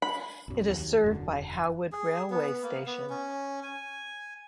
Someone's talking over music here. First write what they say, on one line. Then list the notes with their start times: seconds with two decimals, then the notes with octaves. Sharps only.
It is served by Howwood railway station.
0.02 B5
0.48 B1 F#2
0.70 D#2 F#3
1.04 E1 F#2 D3
1.92 G#4
2.30 B3
2.63 A#3
2.86 B3
3.10 C#4
3.63 G#5